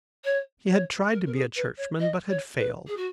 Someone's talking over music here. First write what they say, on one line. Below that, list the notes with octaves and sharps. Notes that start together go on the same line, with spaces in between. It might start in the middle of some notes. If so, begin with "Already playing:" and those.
He had tried to be a churchman but had failed.
C#5
C#5
A#4
A#4
G#4
B4
C#5
D#5
C#5
B4
G#4
F#4